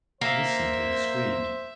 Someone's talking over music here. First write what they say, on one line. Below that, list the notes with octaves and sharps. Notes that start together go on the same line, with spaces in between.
Listen to his screams!
A#3 C5 E5